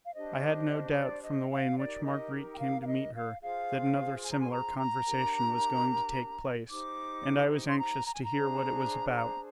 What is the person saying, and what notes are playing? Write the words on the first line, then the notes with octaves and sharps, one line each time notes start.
I had no doubt, from the way in which Marguerite came to meet her, that another similar conversation was going to take place, and I was anxious to hear what it was about.
F5
D4 G4 C5 D#5
D5
D#5
F5
D#4 G4 A#4 D5
D#5
G5
F5
F5
D#5
F5
F4 G#4 C5 F5
G#5
A#5
G#5 C6
A#5
C6
A#5
D4 G4 A#4
D#4 G4 C5 D6
C6
A#5
A#5
G#5
A#5
D4 G#4 C5
A#5